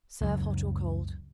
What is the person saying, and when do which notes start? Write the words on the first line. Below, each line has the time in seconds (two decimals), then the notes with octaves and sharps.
Serve hot or cold.
0.21 C#2 F#2 F#3